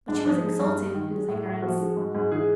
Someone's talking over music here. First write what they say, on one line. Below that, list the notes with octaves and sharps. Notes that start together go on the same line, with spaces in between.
But she was exulting in his ignorance.
G#2 D4
D4
F3 D#4
G#3
G2
G2
D#3
G#3
A2
A2
F3 F#4
G#3
G#2
G#2
E3 G#4